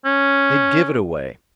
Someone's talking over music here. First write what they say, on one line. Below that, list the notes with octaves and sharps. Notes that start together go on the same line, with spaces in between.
They give it away.
C#4